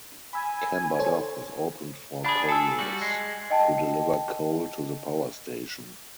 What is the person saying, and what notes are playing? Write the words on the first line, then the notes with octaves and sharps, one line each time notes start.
Camber Dock was opened for colliers to deliver coal to the power station.
G#5 B5 E6
A4 C5 C#5
D4 G#4 F#5 B5
A4 G#5 A5 E6
G3 F#4
G#3
D#5 G5 A5